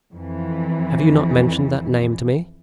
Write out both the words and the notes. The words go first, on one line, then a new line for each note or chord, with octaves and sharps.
"Have you not mentioned that name to me?"
F2 E3